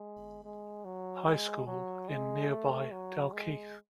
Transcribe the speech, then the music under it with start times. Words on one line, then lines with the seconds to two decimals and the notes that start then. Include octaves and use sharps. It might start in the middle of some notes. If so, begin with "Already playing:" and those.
High School in nearby Dalkeith.
Already playing: G#3
0.44 G#3
0.85 F#3
1.25 G#3
1.67 F#3
2.08 G#3
2.49 A3
2.91 F#3
3.33 G#3